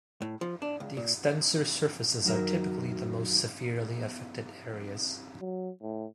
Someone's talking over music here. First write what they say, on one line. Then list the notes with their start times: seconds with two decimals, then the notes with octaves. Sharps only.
The extensor surfaces are typically the most severely affected areas.
0.22 A2
0.41 F3
0.62 D4
0.80 C#2
0.97 A#2
2.25 F#2 D#3 F#3 A#4
5.40 F#3
5.81 A2